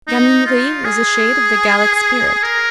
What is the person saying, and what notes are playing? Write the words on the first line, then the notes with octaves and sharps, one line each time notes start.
Gaminerie is a shade of the Gallic spirit.
D#4
F4
G#4
A#4